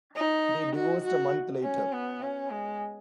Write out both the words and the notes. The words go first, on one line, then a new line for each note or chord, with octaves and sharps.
They divorced a month later.
D#4
F#4
F#4
C#4
B3
C#4
G#3